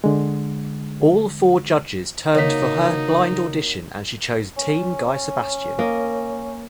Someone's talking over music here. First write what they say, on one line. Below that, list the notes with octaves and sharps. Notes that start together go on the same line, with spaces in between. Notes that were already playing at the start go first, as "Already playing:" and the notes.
All four judges turned for her blind audition and she chose Team Guy Sebastian.
D3 G#3
C#3 A#3 D#4 F#4 C#5 D#5 B6
C#4
A#3 D#5